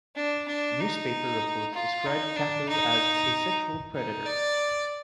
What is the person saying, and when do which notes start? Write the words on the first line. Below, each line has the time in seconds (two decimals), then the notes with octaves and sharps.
Newspaper-reports described Capill as "a sexual predator".
0.15 D4
0.48 D4
0.79 D#4
1.74 F4
2.06 D#4
2.36 D4
2.68 D#4
3.94 D#4
4.26 D5